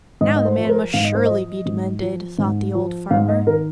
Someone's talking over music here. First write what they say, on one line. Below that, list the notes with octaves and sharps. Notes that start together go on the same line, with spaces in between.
"Now, the man must surely be demented!" thought the old farmer.
G#2 D#5
D#5
C5
F3
C5
A#4
G#2 F5
D#5
C5
F3 D#5
G#2
F3
G#2
F3
G#2 F5
D#5
D#3 A#4